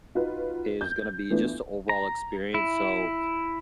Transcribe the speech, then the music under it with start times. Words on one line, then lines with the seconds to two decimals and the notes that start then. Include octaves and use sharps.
is gonna be just the overall experience. So
0.15 D#4 F4 F#4 B4
0.81 G6
1.30 E3 A3 B3 D4 F4
1.89 A#5
2.54 E4